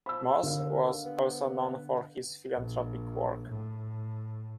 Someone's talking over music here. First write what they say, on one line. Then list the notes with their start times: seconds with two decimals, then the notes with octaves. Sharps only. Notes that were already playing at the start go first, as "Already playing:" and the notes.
Mosse was also known for his philanthropic work.
0.06 F3 B5 E6
0.43 D#2 D3 F5
1.05 B3
2.57 A#1
3.50 A2